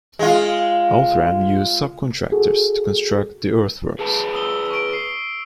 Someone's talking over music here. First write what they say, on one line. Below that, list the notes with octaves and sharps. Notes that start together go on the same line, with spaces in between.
Outram used subcontractors to construct the earthworks.
G#3 F4
F#4 G#4 A4
G#4 B4 A5
D#6 E6 G7
C#6 D7
C7